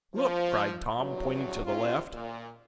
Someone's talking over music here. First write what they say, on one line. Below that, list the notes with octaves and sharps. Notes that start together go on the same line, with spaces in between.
"Look!" cried Tom, pointing to the left.
F3
E2 G2 F#3
C3 C#4 F4
A#2